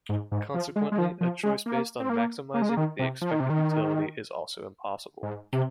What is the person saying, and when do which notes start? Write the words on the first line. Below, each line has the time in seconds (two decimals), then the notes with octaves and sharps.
Consequently, a choice based on "maximizing" the expected utility is also impossible.
0.09 G#2
0.32 G#2
0.54 F3
0.76 G#3
0.92 G#3
0.98 F3
1.21 F3
1.43 G#3
1.66 A#3
2.00 C4
2.09 A#3
2.54 A#3
2.62 G#3
2.69 A#3
2.77 D#3
2.99 C3
3.21 F3
3.31 D#3
3.40 C3
3.50 D#3
5.23 G#2
5.53 C3